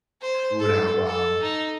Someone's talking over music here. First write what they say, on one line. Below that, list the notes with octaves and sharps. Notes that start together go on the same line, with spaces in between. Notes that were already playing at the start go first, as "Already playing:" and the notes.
we would have, um,
C5
A4
A4
D#4